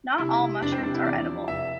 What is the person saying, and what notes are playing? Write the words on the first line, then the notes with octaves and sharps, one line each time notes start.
Not all mushrooms are edible.
C3 E4
C3
F1 D4
C4
C3 D4
E4
E2 D5
F3
F1 E5